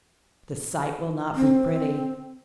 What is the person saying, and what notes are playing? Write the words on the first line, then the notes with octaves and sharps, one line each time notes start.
The sight will not be pretty.
C4